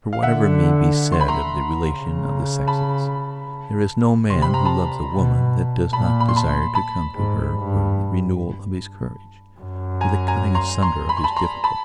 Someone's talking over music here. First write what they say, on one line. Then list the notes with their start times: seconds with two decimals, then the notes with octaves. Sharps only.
For, whatever may be said of the relation of the sexes, there is no man who loves a woman that does not desire to come to her for the renewal of his courage, for the cutting asunder of his difficulties.
0.13 F5
0.23 D3 E5 F#5
1.12 C6
1.21 B5
1.28 A#5 C6
1.86 C#3
2.67 A5 B5
4.30 C3 C6
4.42 B5
4.54 A#5
4.65 A5 B5
5.12 B2
5.93 A#2 A5 B5
6.20 B5
6.29 C6
6.36 A5 B5
6.75 A5 B5
7.15 G#2
7.57 G2
9.60 F#2
10.01 G#5 A#5
10.28 G#5 A#5
10.55 A#5 C6
10.82 A#5 C6
11.09 B5
11.17 C6
11.24 A5 B5
11.36 A#5 C6
11.64 A5 B5